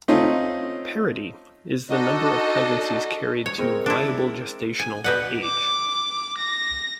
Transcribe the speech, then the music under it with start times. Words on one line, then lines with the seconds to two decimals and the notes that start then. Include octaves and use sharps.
"Parity" is the number of pregnancies carried to viable gestational age.
0.08 A3 C4 C#4 D#4 F4
1.90 D4 D#4 F#4 A4 D#5
3.46 C#5
3.58 G#3 C4 A#4
3.86 D4 E4
4.79 G#5
5.04 B2 B4 D5 F#5 G6
5.43 D6
6.38 A#6